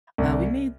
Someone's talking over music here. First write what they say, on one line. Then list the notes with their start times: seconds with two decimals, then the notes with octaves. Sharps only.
uh, we made
0.18 C2